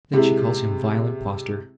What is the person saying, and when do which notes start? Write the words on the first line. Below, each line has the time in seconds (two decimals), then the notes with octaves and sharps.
Then she calls him vile impostor.
0.13 C3 G#3 E4